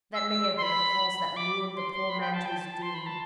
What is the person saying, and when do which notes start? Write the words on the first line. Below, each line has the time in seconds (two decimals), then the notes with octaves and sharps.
That may have been the cause that lured the poor man to his doom.
0.14 E6
0.31 E6
0.57 C6
0.63 B5
1.12 B5
1.37 D6
1.76 C6
1.92 C6
2.09 B5
2.21 G5
2.34 A5
2.46 G5
2.57 A5
2.82 C6
2.94 B5
3.06 A5